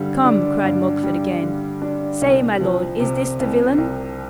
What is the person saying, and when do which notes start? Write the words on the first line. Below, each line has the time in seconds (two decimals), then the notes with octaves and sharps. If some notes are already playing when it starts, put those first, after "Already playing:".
"Come," cried Mogford again; "say, my lord, is this the villain?"
Already playing: G2 D3 G3
0.25 D4
0.64 G2
1.03 G3
1.42 D3
1.82 D4
2.21 C2
2.61 F3
3.00 C3
3.39 C2
3.78 C2